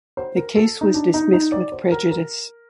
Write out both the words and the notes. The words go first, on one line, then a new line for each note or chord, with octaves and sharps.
The case was dismissed with prejudice.
C5
A#4
A4
D#4
D4
D#4
D#4
D5
C5
A#4
A#4